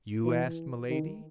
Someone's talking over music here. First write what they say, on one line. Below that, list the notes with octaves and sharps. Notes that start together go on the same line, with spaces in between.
"You?" asked Milady.
E3
D#3